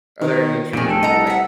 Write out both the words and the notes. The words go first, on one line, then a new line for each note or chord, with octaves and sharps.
Are there any instruments that you play?
D#3 C#5
F1 A#2 D#3 G#4 G5
D4 A4
C2 D#5 F#5 A#5
E5 F#5